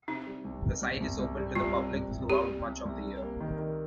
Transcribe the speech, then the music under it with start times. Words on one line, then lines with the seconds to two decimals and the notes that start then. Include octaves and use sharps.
The site is open to the public throughout much of the year.
0.08 C3 D#4
0.27 G3
0.45 C2
0.64 C2
0.82 C2
1.00 C2
1.19 C2
1.37 G3
1.55 C2 F4
1.74 C3
1.93 C2
2.11 C2
2.29 C2 G4
2.48 G3
2.66 C2
2.85 C2
3.04 G3
3.22 A#3
3.40 D#3
3.58 D#3